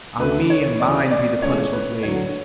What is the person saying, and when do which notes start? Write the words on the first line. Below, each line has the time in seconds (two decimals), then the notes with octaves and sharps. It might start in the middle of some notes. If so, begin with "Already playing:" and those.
On me and mine be the punishment laid.
0.19 D2 D3 A3 B4
0.50 C#5
0.80 D2 C#3 E3 D5
1.11 D5
1.42 C#2 C#3 E3 A3 C#4 C#5
1.73 B4
2.03 D2 D3 F#3 C#5